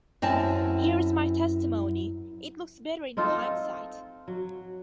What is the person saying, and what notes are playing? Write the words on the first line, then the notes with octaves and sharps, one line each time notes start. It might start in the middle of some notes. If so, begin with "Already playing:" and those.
Here’s my testimony. It looks better in hindsight.
F#2 C4 E4 G#5 A5
C4 D#4 F4 A4
F#3